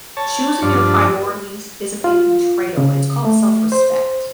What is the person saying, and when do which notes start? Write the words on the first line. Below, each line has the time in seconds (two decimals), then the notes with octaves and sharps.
choosing your priorities isn't a betrayal, it's called self-respect.
0.17 C#5 A5
0.62 G2 F3 D4
2.04 F4
2.77 C#3
3.25 A3
3.72 C5